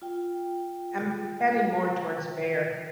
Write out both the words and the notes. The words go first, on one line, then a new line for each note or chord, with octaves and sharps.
I'm heading more towards bear.
F4 G5